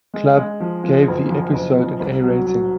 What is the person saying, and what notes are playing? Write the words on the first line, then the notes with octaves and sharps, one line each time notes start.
Club gave the episode an A rating.
G#3
G#3
F3
F3
F#1
F3
F#1
F3
C2
F#3
F#3